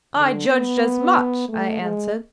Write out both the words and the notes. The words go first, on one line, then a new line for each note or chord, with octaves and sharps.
'I judged as much,' I answered.
D3
B3
A3
G#3